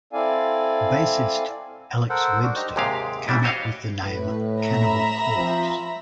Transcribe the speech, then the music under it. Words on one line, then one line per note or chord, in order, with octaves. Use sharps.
Bassist Alex Webster came up with the name Cannibal Corpse.
C4 E4 A4 D5 F5 G#5
A4 A#4 C5 F#5
D4 F#4
D#4 G4 C5 A#5
D#2 G#2 C3 G#3 G4 F5
C#3 E3 G3 D4 E4
F#4 G4 C5 C#5 D#5 F5
A2 B4
E5 A#5 B5
F3 C4